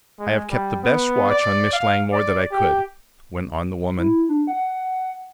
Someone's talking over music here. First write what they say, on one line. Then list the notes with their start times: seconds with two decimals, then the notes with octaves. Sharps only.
"I have kept the best watch on Miss Langmore that I could," went on the woman.
0.19 G#3
0.50 G3
0.83 B3
1.30 D5
1.73 F5
2.13 D5
2.51 G4
3.98 E4
4.29 D4
4.47 F#5